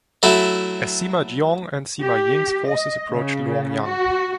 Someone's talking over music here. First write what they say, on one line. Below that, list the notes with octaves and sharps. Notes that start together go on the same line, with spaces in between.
As Sima Jiong and Sima Ying's forces approached Luoyang.
F#3 A3 E4
G4
D#5
C#3
F#4